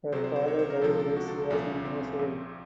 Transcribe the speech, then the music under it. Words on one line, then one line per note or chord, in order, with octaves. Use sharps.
Her father died when she was nine years old.
C2 C3 F#3 C5
C5
C5
C#5
C5
A#4
C#2 C3 F3 A4
A4
F#4
A4
C2 A#2 F3 C#4
C4
A#1 A#2 F3